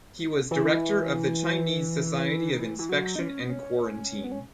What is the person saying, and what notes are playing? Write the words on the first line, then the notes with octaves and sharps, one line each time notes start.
He was director of the Chinese Society of Inspection and Quarantine.
E3
D#3
E3
E3
F#3
D#4
C#4
B3
C#4
B3
C#4